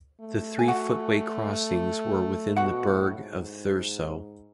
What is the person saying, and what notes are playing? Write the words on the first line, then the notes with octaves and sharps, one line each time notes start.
The three footway crossings were within the burgh of Thurso.
A3
G#5
F#4 F#5
B2 F#4 F#5
A2
G#2